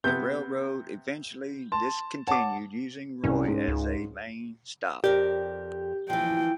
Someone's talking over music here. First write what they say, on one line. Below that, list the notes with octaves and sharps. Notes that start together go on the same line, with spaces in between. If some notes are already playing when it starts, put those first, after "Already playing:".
The railroad eventually discontinued using Roy as a main stop.
C3 B3 G6
A5 C6
C#5 F#5 A5 D6
C2 C#4
G#2
C#2
F2 G4 A#4 D5
E3 F3 G5